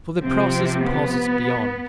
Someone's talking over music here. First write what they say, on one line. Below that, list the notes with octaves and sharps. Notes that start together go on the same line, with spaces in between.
For the process passes beyond.
C3 F3 C4
B3